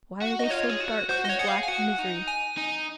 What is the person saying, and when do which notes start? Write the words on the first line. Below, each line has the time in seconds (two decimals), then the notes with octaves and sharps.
Why are they so dark from black misery?
0.21 F#4
0.39 D#4 D#5
0.50 F4 C#5
0.69 G#4
0.80 F#4
1.09 F#4 C5
1.25 D#5
1.29 F#4 C#5
1.39 G#4 F#5
1.48 F5
1.63 G#5
1.68 F#4 F#5
1.99 D#4
2.28 G#5
2.57 D#4